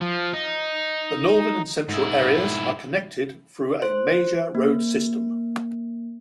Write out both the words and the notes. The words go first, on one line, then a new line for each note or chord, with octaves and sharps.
The northern and central areas are connected through a major road system.
F3
D#4
G#2 E4
C5
A#3